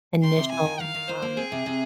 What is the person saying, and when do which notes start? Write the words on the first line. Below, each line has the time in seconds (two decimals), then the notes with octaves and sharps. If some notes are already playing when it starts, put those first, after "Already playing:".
initial, um,
0.23 D#3 C6
0.37 C3
0.51 F4 G#5
0.65 D#3
0.80 D#3 F5
0.94 D#3
1.08 F4 C5
1.22 A#3
1.37 C4 G#4
1.52 C3
1.66 C3